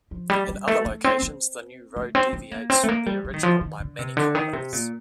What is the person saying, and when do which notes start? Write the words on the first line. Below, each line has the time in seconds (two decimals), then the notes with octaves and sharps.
In other locations the new road deviates from the original by many kilometres.
0.11 F3
0.30 G3
0.49 G3
0.68 A3
0.86 A3
1.04 C4
1.23 C4
1.96 A3
2.15 C4
2.33 C4
2.52 A#3
2.70 C4
2.83 A3
2.88 A#3
3.06 G3
3.25 G3
3.34 D#3
3.43 F3
3.61 D#3
3.80 D3
3.99 C3
4.17 D3
4.35 D#3
4.53 C3
4.73 A#2